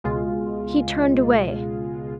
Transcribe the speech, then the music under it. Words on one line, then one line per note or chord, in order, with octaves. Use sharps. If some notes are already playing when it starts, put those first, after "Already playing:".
He turned away.
C#2 B2 G#3 F4